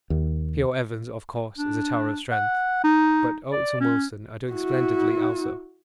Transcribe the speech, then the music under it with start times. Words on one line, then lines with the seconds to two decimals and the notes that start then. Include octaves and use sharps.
P.O. Evans, of course, is a tower of strength, but Oates and Wilson are doing splendidly also.
0.10 D#2
1.58 D4
2.32 F#5
2.84 D#4
3.53 D5
3.81 C#4
4.52 E4 F#4